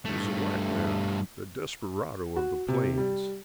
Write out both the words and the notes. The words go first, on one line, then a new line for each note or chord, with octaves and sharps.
It was a white man--a desperado of the plains.
G2 A3
F#4
C3
G3